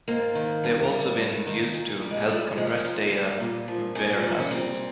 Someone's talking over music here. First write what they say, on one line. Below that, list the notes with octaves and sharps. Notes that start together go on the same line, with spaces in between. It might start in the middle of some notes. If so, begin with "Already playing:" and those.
They have also been used to help compress data warehouses.
G#2 A#3
D#3
G2
G3
G2
D#3
A#2
G3
G#3
A#2 G3
F3 G#3
G3
G#3
A#2 A#3
G3
A#2
F3
A#2 C#4
G3
C#4
A#2 C4